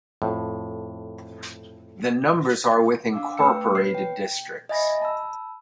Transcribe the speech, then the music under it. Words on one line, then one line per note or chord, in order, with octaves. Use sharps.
The numbers are with the incoorporated districts.
F2 A2
D4 F5 D6 E6
A3 B4 G5 E6 C#7
B4 C#5 C7
G5
D#5 E5 G#5 B5 G#6 A#6
A5 B5 E6